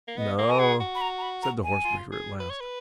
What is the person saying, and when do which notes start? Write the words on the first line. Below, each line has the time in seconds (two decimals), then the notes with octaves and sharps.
"No," said the horse-breaker, at last.
0.08 A#3
0.18 B3 D#5
0.39 A#3
0.48 A#4 G#5
0.59 G#4 F#5
0.80 F#4
0.95 B5
1.01 A#5
1.18 A#5
1.22 B5
1.43 A#5
1.64 G#5
1.85 F4
2.12 G#4
2.40 B4
2.50 C#5
2.61 B4